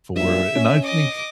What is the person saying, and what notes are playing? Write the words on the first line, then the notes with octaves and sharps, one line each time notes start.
for and I think
G2 A#2 E5
C#4
D#5 D6